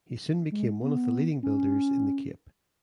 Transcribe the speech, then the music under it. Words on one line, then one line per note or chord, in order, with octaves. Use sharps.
He soon became one of the leading builders in the Cape.
G#3
B3
C#4